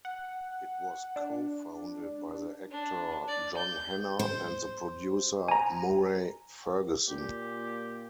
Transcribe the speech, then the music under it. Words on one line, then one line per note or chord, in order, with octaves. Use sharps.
It was co-founded by the actor John Hannah and the producer Murray Ferguson.
F#5
D4
D4
D5
G6
C5
G#5 A#5
A#2 G4